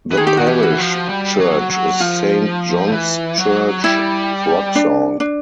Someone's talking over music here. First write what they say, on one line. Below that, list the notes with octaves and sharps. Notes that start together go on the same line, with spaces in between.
The parish church is Saint John's Church, Wroxall.
E3
D#3 G#4
G4
D#3 F#4
E3 G4
F#4
F3
G3
F#3
F#3
F3 F4
E3
F#3
G3 E4
D4
D4